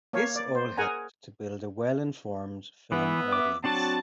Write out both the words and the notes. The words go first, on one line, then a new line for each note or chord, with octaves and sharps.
This all helped to build a well informed film audience.
A#3 C#5 F5
D5
C5
G#4 A#4 F#5 G#5 A#5
E3 B3 E5
D6
F#3 C4 D4 F#4 A5